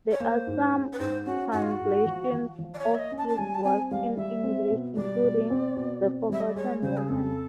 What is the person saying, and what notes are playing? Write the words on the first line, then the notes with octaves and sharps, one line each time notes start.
There are some translations of his work in English including "The Forgotten Woman".
C#5
A#3 C5
G#2
C#4
B4
G#2 C5
C#4 F#4
G#2 F#4
F4
F#4
G#2
F3
F3
F3
D5
C#5
A#3
E5
D#5
C#4
A5
A5
G3 G#5
A5
C4 G#5
G3 F5
G3 E5
C4
B2
G3 D5
B2
C4
B2
C4
G3 E5
D#5
D5
G#3 C#5
C#3 C5
G#4
F2 A4